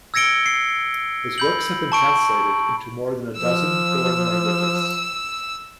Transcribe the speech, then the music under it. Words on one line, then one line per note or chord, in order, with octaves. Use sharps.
His works have been translated into more than a dozen foreign languages.
E6 G#6 A#6 C#7 D7 G7
C7
B5 G6 F#7
A5 C#6 D7
F3 E6